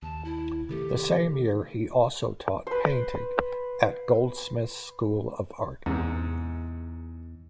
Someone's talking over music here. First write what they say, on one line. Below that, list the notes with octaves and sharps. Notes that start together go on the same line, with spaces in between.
The same year he also taught painting at Goldsmiths' School of Art.
D#2 A5
E4
C3 D#3 A3 G4
B4 C5
E2 G#2 C3